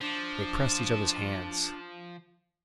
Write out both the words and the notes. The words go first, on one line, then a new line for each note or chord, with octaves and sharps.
They pressed each other's hands.
F3 D4